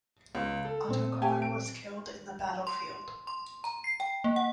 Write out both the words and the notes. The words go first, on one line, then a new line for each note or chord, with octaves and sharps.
Ottokar was killed in the battlefield.
C#2
A4
A#2 C4
G4 G#5
D7
C6
C6
A#5
C7
G5
A#3
F#5